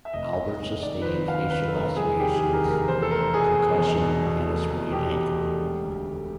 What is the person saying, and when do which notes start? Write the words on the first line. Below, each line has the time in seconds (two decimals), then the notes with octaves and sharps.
Albert sustained facial lacerations, a concussion, and a sprained ankle.
0.05 E5
0.13 F1 D#5
0.37 F1
0.49 D#5
0.60 F1
0.82 D#3 D5
1.02 B4
1.05 D#2 C5
1.28 D#2 F5
1.50 D#2 B4
1.68 A4
1.73 F1 A#4
1.96 G3 G#4
2.19 D#3 G4
2.36 G#4
2.42 D#2
2.53 A#4
2.65 F1
2.71 A#4
2.88 E2 C5
3.02 A4
3.11 A3 A#4
3.34 B2 G#4
3.56 B2
3.79 E2
4.01 B2
4.25 B2
4.47 A3
4.71 E2
4.92 B2 G4
5.15 E2
5.38 A3
5.62 E1
5.84 D2
6.07 D2